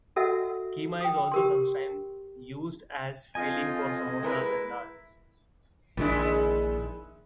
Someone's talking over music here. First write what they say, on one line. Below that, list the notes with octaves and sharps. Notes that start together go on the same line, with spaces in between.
Keema is also sometimes used as a filling for samosas or naan.
F#4 A4 D#5 E5 F#5 E6
G5 D#6
G4 A#4 C6
F2 F4 D#5 G#5
G#3 E4 A#4 B4
A#1 D#3 E3 G#3 D4 E4